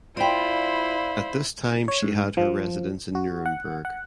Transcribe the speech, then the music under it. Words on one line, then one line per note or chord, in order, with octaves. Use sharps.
At this time she had her residence in Nuremberg.
E4 F4 C5 D5 F5 G5 B5
C#5
G#2
F3
F#4
F#5
F#5